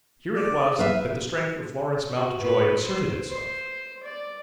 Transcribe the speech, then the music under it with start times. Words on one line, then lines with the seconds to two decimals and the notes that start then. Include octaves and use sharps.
Here it was that the strength of Florence Mountjoy asserted itself.
0.36 D5
0.79 B4 E5 F5
2.09 F#4
2.40 B4
2.81 C5
3.28 C5
4.04 D5